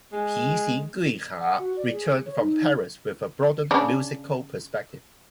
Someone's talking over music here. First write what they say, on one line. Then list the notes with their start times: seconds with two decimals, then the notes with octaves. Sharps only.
Pixinguinha returned from Paris with a broadened musical perspective.
0.13 G#3
1.40 F#5
1.59 F#4
1.77 D5
1.92 G#4
2.26 C#5
2.39 D#4
3.71 C#3 D4